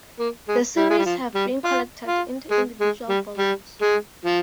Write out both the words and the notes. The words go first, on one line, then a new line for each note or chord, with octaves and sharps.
The series has been collected into individual volumes.
A#3
G#3
G3
G#3
G3
F3
G3
F4
F4
G#3
G#3
G3
G3
G#3
F3